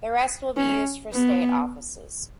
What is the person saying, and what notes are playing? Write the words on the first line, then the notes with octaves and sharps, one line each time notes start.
The rest will be used for state offices.
C#4
B3